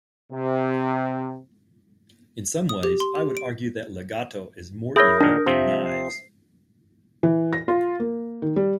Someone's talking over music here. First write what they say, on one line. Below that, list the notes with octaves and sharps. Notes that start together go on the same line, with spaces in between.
In some ways, I would argue that Legato is more evil than Knives.
C3
D#6
G4
C6
G4
D7
E4 G#4 A#4 C#5 D#6 G6 A#6
A#2 D#3 D4
C3 F3 C4 E5
C7
E3
A#6
F4
A#3
D#3
G3